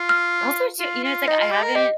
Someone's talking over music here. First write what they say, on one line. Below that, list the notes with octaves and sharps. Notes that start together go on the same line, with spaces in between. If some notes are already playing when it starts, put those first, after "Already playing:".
Also, too you know, it's like I haven't
Already playing: F4
F6
F4
F4
D#4 D#5
F4
G4
A#4
G4 D#5